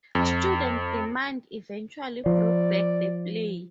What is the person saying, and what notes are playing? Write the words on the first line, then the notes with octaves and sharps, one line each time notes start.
Student demand eventually brought back the play.
F2
F3 D5